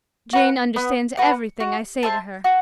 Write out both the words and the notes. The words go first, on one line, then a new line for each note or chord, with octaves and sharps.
Jane understands everything I say to her.
F#4 B4 F#5
B3
F#4 B4 F#5
F#4
C5 E5 A5
F#4